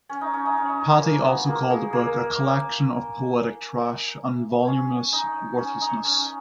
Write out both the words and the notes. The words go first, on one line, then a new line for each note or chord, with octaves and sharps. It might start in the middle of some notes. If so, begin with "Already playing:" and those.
Pattee also called the book a "collection of poetic trash" and "voluminous worthlessness".
C#4
D#4
C#4
D#4
C#4
D#4
C#4
A#3
B3
A#3
G#3
A#3
C#4
D#4
C#4
D#4
C#4